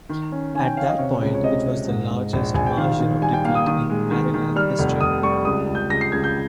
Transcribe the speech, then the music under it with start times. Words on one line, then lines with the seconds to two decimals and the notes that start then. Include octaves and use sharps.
At that point, it was the largest margin of defeat in Maryland history.
0.09 D#3
0.32 C#4
0.54 D#3 G#5
0.66 G5
0.77 C#4 F5
0.88 D#5
0.99 C3 C#5
1.21 C#2
1.35 C#5
1.43 C3 D#5
1.66 C3
1.88 G#2
2.11 G#2
2.33 A#1
2.54 A#1 G#5
2.66 G5
2.77 D#3 F5
2.99 D#3
3.21 G3 G#5
3.33 G5
3.44 A#3 F5
3.55 D#6
3.67 D#3 D#6
3.90 G#3
4.11 D#3
4.34 D#3
4.56 G3 F6
4.79 F1
5.01 F1 D#6
5.23 G3 C#6
5.45 C#2 D#6
5.67 C#2
5.75 G6
5.89 C#2 A#6
6.01 C7
6.12 C#2 G#6
6.24 G6